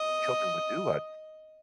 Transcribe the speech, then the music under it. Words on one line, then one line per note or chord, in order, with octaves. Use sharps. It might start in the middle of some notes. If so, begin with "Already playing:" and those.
children would do, I'd
Already playing: D#5